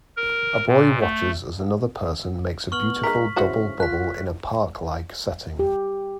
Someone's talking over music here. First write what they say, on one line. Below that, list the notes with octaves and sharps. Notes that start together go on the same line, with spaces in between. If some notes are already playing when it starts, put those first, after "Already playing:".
A boy watches as another person makes a beautiful double bubble in a parklike setting.
A#4
A#2
A3
B3 C#6 F6 F#7
G#3 D#4 A#4 B6
C#3 E3 F#4 C5
F4 F#6 B6
G4